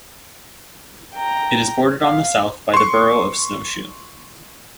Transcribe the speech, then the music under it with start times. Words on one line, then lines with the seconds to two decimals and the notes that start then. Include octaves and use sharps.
It is bordered on the south by the borough of Snow Shoe.
1.14 G5 A#5
2.03 F5
2.74 C6 C#6